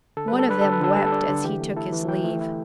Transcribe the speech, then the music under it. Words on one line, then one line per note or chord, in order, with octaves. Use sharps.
One of them wept as he took his leave.
D3 A4
G3 B4
A4
D4 B4
D3 A4
B4
D3 A4
G3 B4
A4
D4
D3
E3 G4
A3
E4 A4
E3
E3 G5
A3
E4